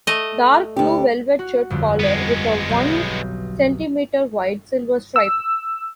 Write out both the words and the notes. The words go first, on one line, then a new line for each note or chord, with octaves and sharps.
Dark blue velvet shirt collar with a one centimetre wide silver stripe.
A3 D#5
D2 G4
F#4
G1 F2
G#3 B3
B1 G6 C7
E6